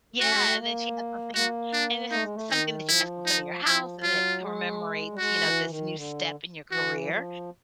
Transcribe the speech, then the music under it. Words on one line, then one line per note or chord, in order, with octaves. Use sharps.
Yeah, and then she has something and it's something that you guys can put in your house and that commemorates, you know, this new step in your career.
A3 F#4
G#3
A3
A#3
A#3 F#4
D4
A3 D#4
G#3
A3
D#3 D#4
F3 E4
D#4
F3 E4
F#3 F4
G#3
G3
G#3 F#4
E3
D#3
D3
E3 F#4
F#3
F3